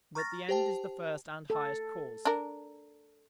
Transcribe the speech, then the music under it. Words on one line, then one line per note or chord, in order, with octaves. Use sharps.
But the end is the first and highest cause.
A#5 C#6 F6 A6 A#6
G4 C5 G5 A5
A4
D4 A#4